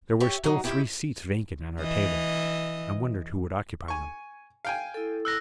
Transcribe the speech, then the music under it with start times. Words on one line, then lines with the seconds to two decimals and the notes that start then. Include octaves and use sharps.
There were still three seats vacant at our table; I wondered who would occupy them.
0.20 G4 C#5 E5
0.44 F#3 D#4
0.64 D#3 E4 G4 G5
1.80 E3 D#5
3.88 G#5 C#6
4.65 F5 G5 G#5
4.94 E4 A4
5.25 E6 F#6 A#6